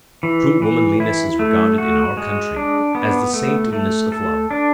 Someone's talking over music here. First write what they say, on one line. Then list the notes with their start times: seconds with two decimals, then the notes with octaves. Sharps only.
True womanliness is regarded in our country as the saintliness of love.
0.23 E3
0.62 E3
1.00 E4
1.39 A3
1.78 F#4
2.17 G#3
2.56 D4
2.95 B3
3.33 A3
3.73 A3
4.12 A4
4.51 D4